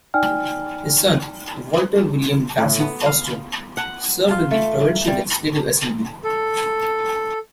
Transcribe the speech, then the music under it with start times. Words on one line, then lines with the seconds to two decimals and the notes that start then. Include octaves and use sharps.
His son, Walter William Vassie Foster, served in the provincial Legislative Assembly.
0.14 D#4 D5 G5 G#5 F6
2.58 A2
2.80 B3
3.06 F5
3.77 F#5
4.31 F4
4.51 A3
5.07 G3
6.24 A4